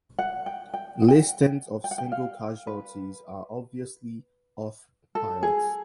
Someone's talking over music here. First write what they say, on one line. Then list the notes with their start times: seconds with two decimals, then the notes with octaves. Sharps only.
Listings of single casualties are obviously of pilots.
0.19 F#5
0.46 G5
0.74 G5
1.01 F#5
1.08 G5
1.16 F#5
1.84 G5
1.91 F#5
1.98 G5
2.12 F5
2.67 B4
5.15 A4
5.43 G#4